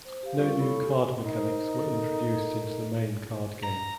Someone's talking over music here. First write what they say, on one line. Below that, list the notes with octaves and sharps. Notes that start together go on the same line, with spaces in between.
No new card mechanics were introduced into the main card game.
C5
G4 F5
G3 C4 F4 A#4 F5 C#6
E4 A4 C#5 B5 C#6
A3 G4 A4
G#5
D#4 A#4 C5
A4 A#4
A#5